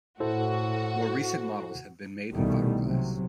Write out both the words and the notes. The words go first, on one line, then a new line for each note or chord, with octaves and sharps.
More recent models have been made in fibreglass.
A2 E4 F#4 A4 C5
C2 B2 D#3 E3 G3 A3
C3 F#3